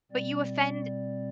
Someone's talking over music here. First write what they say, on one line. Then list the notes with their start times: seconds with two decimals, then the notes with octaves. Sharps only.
But you offend
0.11 B2 G3 C4 D5